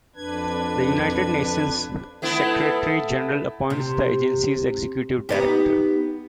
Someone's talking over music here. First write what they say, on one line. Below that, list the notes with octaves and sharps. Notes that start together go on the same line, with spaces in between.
The United Nations Secretary-General appoints the agency's Executive Director.
F2 D4 B4 G#6
A3 B3 E4
C3
B3 D#4 G4